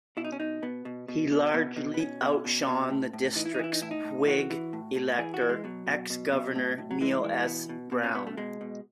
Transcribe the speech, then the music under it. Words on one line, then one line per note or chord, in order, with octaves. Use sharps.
He largely outshone the district's Whig elector, ex-Governor Neill S. Brown.
B2 E4
D#4
C#4
B2 D#4
B2 B3
B2
B2
B2
B2 B3
B2
B3
B2 C#4
B2
B2
B2
A2
A2
E3 D#4
E4
D#4
E3 E4
D#4
A2 E4
D#4
A2
E3 F#4
E3
A2
A2
E3 G#4
F#4
E3
G#3
B2 F#3
B2
B2
B2
A2
A2
F#3
E3 G#3
E3
B2 B3
B2
B2
C#4
B2 B3
A3
B2 G#3
B2